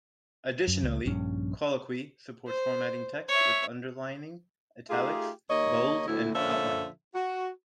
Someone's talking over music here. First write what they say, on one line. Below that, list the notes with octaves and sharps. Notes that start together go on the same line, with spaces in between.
Additionally, Colloquy supports formatting text with underlining, italics, bold, and outline.
F#2
C#2
A#1 G2 C#4
C5
C#5 E5
A3 D#4 F4 G4 G#4
D#2 A#3 C#5 D#5
D2 A2 E4
A#2 D3 F3 C#4 A4 E5
F#4